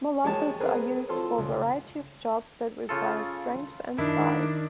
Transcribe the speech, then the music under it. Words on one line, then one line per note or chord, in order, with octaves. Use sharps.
Molossers are used for a variety jobs that require strength and size.
G#3 A#3 G4 C#5 A5
C4 G#4 A#4 B4
C4 F4 A4 C6
C#2
C#3 F4 A4
D#3 D4 E4